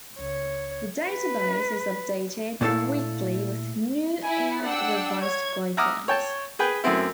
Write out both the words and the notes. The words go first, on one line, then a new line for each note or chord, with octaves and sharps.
The database is updated weekly with new and revised guidelines.
C#2 C#5
B4
A#2 A3 B3 E4 A4 F5
E4 G#5
D4 F#5 G5 E6
C#5 G#6
E5 F#5 A#5 D6 D#6 F6
C#5 G5 A5
G#4 B4 G5
F#2 A3 B3 C4 E4